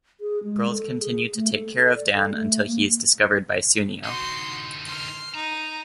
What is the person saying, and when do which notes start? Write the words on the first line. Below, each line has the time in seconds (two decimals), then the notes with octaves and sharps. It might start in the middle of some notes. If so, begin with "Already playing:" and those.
The girls continue to take care of Dan until he is discovered by Tsuneo.
0.21 G#4
0.44 G#3
0.71 A4
1.00 G#4
1.36 A3
1.53 A4
1.76 A4
1.95 D5
2.16 A4
2.34 A3
2.66 A#3
4.04 D3 D#4 F#4 C6
4.85 C6 F6
5.35 D#4 A#5